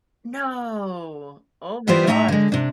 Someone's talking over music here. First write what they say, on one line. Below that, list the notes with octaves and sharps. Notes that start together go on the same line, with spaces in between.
No. Oh my gosh.
D#2 E3 G3 B3 F4 C5
A2 A3 D#4 E5 G5 A#5
D3 G#3
C3 D4